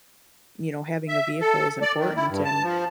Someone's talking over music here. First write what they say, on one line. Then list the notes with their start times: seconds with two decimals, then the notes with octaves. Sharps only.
you know, having a vehicle is important, and,
1.08 E5
1.41 A4
1.82 D5
1.98 D#3
2.16 E4
2.29 G2
2.44 A5
2.63 F3